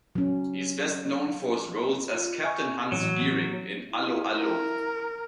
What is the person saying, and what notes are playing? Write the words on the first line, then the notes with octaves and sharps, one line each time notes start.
He is best known for his roles as Captain Hans Geering in 'Allo 'Allo!
F#3 C#4
F4
E5 G#5 C#6
A2 E3 F#3
E4
A#4